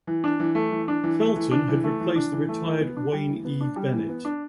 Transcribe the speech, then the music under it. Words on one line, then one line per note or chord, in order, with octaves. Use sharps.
Felton had replaced the retired Wayne E. Bennett.
E3
D4
E3
A3
E3
D4
E3
A3
E3
D4
E3
A3
E3
D4
E3
A3
E3
B3
D4
G3
E3
B3
D4
G3
E3
B3
D4